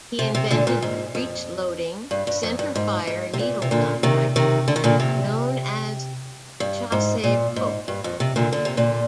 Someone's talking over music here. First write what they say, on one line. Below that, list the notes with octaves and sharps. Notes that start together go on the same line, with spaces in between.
He invented the breech-loading, center-fire needle gun rifle known as the Chassepot.
C3
C3
A#2 D3
A#2
G#2
F2
G2
G2
F2
G2
G#2
G#2
C3
A#2
C3
A#2 D3
C3 D#3
C3 D#3
D3
D#3
A#2 D3
C3
G2
G#2
A#2
G#2
G2
F2
C3
A#2 D3
D3
C3
A#2 D3